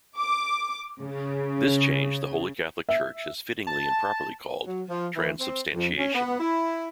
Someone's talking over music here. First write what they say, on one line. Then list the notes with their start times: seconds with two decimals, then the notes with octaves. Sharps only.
This change the holy Catholic Church has fittingly and properly called transubstantiation.
0.18 D6
1.01 C#3
2.89 E5
3.67 A5
4.66 F#3
4.90 F3
5.17 E3
5.40 C4
5.73 F2
5.98 C#4
6.14 B3
6.39 E4